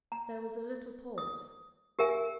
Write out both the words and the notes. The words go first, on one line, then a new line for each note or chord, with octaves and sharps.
There was a little pause.
A#5
D#6
G4 A#4 E5 G#5